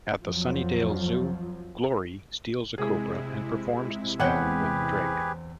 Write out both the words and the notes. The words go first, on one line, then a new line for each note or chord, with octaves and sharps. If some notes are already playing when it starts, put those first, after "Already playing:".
At the Sunnydale Zoo, Glory steals a cobra and performs the spell with Dreg.
F2 F3 F#3
C3 G#3 E4 G#4
E2 C4 C#4 G4 G#4 B4 F#5 G5